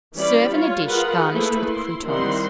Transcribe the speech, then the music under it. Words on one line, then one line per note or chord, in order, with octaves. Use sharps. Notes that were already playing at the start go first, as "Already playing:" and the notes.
Serve in a dish garnished with croutons.
E3 G3 C#4 D5 B5
F4 C#5
F4 G#4 A#4 B4 F#5
A3 A#3 E4 G#4 B4 C5
E4 C6
D#3 G3 C4 E4 F#5 C6